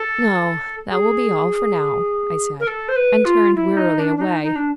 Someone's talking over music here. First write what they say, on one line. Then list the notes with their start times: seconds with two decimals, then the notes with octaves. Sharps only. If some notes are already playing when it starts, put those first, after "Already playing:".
"No; that will be all for now," I said, and turned wearily away.
Already playing: A4
0.91 G#4
2.60 A#4
2.67 A4
2.89 C5
2.96 B4
3.25 F4
3.55 E4
3.77 D#4
3.99 D4
4.17 D4
4.21 D#4
4.43 D#4
4.56 D4